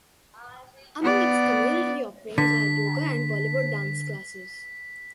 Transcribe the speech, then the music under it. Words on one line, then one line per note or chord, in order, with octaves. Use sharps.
Among its community offerings are yoga and Bollywood dance classes.
B3 D5
D3 B6